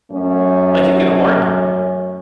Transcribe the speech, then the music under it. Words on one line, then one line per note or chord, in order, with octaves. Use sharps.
like, you can argue
F#2 F#3 A3 C#4